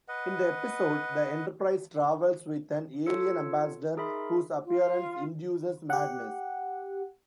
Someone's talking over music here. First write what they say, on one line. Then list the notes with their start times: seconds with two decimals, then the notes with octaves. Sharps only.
In the episode, the "Enterprise" travels with an alien ambassador whose appearance induces madness.
0.08 B4 D#5 F#5
3.06 F4 A4 C#5 E6 C#7
3.97 D#4 G#4 A#4 E5 B5 C6
4.65 F4
5.90 G4 F#5